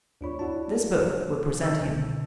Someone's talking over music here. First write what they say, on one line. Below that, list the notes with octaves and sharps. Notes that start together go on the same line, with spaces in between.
This book will present him.
D2 D4 F4 C#5 B5
D4 E4 F#4 A5
D#5 A5 E6 G6
C2 B2 D3